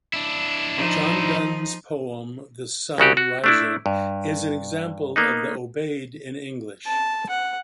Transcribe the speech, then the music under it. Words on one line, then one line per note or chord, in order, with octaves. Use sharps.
John Donne's poem "The Sunne Rising" is an example of the aubade in English.
D4 E4
F3 D#4
C2 C#3 F#4 G4
F#4
A3 D4 E4
G2
A#3 B3 D#4
A5
F#5